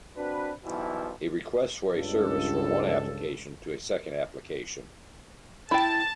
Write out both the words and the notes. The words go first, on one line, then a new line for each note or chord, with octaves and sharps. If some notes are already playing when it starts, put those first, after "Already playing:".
A request for a service from one application to a second application.
C4 D4 F#4 B4
B1 B2 E3 F3 G3 E4
C#2 G2 A4
E4 G5 A5